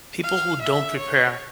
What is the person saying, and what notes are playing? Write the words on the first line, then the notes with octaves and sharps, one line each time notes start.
people who don't prepare
F5
E5
C#5